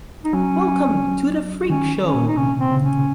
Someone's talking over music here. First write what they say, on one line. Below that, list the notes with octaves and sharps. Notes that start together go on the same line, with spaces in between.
Welcome - to the Freak Show!
D#4
F#3 C#4
D#3 C#4
C#4
A#2
D#4
C3 C#4
C4
C#3
C#4